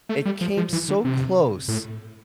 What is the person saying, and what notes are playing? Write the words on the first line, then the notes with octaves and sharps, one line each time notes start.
It came so close
A3
G3
F3
F3
E3
D3
C3
A2